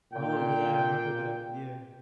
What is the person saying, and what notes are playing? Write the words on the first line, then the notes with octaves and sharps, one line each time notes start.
Oh yeah, I remember that yeah.
A#2 G5